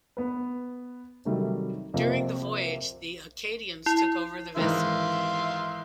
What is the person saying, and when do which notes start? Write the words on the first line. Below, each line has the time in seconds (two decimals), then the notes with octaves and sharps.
During the voyage, the Acadians took over the vessel.
0.17 B3 B4
1.25 C3 D#3 F#3 G3 A3
1.94 F2 C3 F3 A#3 C4
3.86 E4
4.57 G#2 D#3 E3 E5 F5 C6